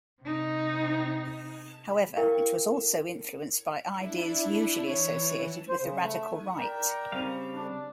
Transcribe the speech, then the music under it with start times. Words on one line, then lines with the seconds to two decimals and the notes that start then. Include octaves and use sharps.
However, it was also influenced by ideas usually associated with the radical right.
0.22 C3 D#4
2.17 E4 A#4 F5 G5 C#6
3.92 D4 E4
4.85 E3 C#5
5.69 C5
5.81 C#3
6.02 A3
6.58 A#4 D5 G5
7.12 C#3 G3 C4 F5
7.53 D4